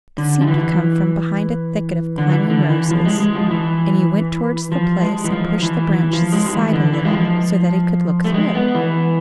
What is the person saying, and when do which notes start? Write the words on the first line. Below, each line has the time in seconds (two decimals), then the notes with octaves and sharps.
It seemed to come from behind a thicket of climbing roses; and he went towards the place and pushed the branches aside a little, so that he could look through.
0.18 D3
0.41 F3
0.47 E3
2.18 D3
2.29 E3
2.50 D3
2.70 E3
2.91 F3
3.05 G#3
3.20 G#3
3.35 F3
3.51 E3
4.72 F3
5.01 G#3
5.24 E3
5.32 F3
5.62 E3
5.92 E3
6.13 F3
6.32 G#3
6.46 F3
6.53 E3
6.73 D3
6.93 E3
7.05 G#3
7.13 F3
8.24 A3
8.34 G#3
8.55 B3
8.75 E3